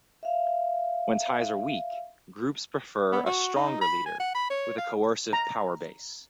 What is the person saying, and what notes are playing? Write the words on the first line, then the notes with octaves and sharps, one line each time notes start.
When ties are weak, groups prefer a stronger leader with a coercive power base.
E5 F5
B3
F#4
D#4
B5
G#5
F#5
B5
C#5
F5
A#5